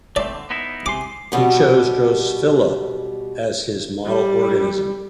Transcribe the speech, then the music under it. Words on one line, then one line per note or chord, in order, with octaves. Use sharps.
He chose "Drosophila" as his model organism.
A3 C4 D5
D3
B3 D#4 E4
C3 G#4 C6 D6
B2 G3
G3